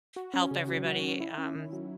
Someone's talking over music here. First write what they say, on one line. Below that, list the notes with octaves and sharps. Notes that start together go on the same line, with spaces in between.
help everybody, um,
F#4
C#4
C#3
F#3
F#4
C#4
E4
C#4
D#3
F#3